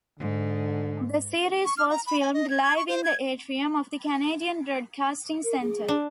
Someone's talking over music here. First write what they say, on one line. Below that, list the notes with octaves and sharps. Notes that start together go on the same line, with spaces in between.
The series was filmed live in the atrium of the Canadian Broadcasting Centre.
G#2 D3
C#6
F6
A#5
B5
G#5
D#5
G#6
G#6
C#6
C5
G#6
A#4
G#4
D4